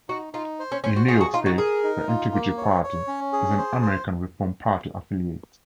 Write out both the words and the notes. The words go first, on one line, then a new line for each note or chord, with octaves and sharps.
In New York State, the Integrity Party is an American Reform Party affiliate.
D#4 F#4
D#4 F4
C5
C#4
C#4 C5
F#4
F#4 G#4
F#4
D#4 F4
F#4
G#4 A#4
D#4
F4
A#3
C#5
C#5
C#4
G#4
C5
C5